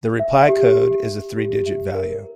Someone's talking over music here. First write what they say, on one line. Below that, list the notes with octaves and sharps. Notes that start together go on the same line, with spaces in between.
The reply code is a three-digit value.
E5
G4
E5
G4
G4
E5
A#4